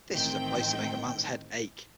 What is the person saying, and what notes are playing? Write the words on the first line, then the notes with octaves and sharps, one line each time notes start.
This is a place to make a man's head ache!
A1 D#3 C4 G5